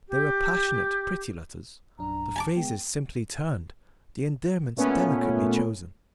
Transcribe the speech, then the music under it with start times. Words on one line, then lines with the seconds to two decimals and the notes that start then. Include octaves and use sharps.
They were passionate, pretty letters,--the phrases simply turned, the endearments delicately chosen.
0.08 G4
1.99 A#1 F#2 D4 A#5
2.36 G#5 A5 D6
2.56 G#3 B3 G5
4.76 A#2 A3 B3 C#4